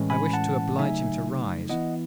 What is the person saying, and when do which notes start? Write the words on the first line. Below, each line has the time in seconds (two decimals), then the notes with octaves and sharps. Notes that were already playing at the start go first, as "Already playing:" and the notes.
I wished to oblige him to rise.
Already playing: A2 E3 G#3 C#4
0.10 G#5 B5
0.33 F#5 A5
0.78 C#3 F#3 A3 D#4 E5 G#5
1.69 E3 B3 E4 D#5 F#5